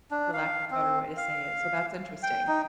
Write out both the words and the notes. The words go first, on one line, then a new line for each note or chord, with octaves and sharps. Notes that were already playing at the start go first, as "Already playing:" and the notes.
for lack of a better way to say it, so that's interesting.
D4
F5
C4
F5
G5
D#4